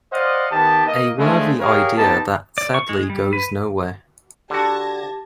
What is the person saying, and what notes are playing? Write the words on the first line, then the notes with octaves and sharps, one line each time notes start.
A worthy idea that sadly goes nowhere.
C5 D5 D#5 F5 F#5
D#3 B3 G4 A5
A#3 D#5
D3 F3 G#3 A3
G4 G#4 A#4 C#5 F5
B3 D#4 G4 A5
D5
C#6
G#3
G3
B4
D3 F#4 G4 A5 G#6 A#6